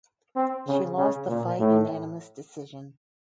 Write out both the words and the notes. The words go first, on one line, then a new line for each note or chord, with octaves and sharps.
She lost the fight unanimous decision.
C4
C#3
C#3
A#2
A2